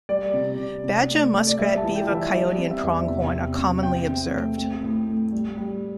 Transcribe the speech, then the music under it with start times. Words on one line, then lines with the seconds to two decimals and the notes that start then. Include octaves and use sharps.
Badger, muskrat, beaver, coyote, and pronghorn are commonly observed.
0.09 G3 D5
0.33 C3
0.58 C3
0.84 C3
1.08 A3
1.34 A3
1.47 D5
1.58 G3 E5
1.77 A5
1.83 E3
1.96 G5
2.08 E3
2.15 E5
2.33 G3 D5
2.58 C4
2.71 E5
2.83 E2
3.08 C3
3.33 C4
3.58 C3
3.83 C4 G5
4.08 C4
4.33 A3
4.58 C4
4.83 A2
5.07 A3
5.32 G3
5.58 G3